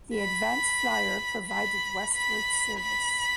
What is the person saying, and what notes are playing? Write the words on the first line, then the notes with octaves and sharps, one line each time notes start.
The "Advance Flyer" provided westward service.
B5
B5
B5
B5